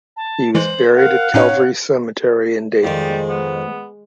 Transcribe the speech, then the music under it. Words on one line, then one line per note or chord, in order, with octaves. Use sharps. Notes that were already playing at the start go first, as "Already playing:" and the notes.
He was buried at Calvary Cemetery in Dayton.
A5
E3 G#3 C5 F#7
A#4 F5 F#5
A2 C#4 D#4 C#5
F2 D#3 G3 G#3 C5
B3